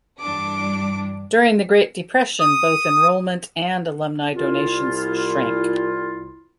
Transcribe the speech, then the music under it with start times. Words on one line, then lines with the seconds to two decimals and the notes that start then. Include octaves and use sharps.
During the Great Depression, both enrollment and alumni donations shrank.
0.21 G2 E3 D4 D6
2.40 D#6
4.35 C2 E4 F4